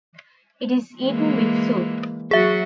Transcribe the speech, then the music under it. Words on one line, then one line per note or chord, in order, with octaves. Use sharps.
It is eaten with soup.
E3 G#3 A#3
F#3 F#4 G#4 E5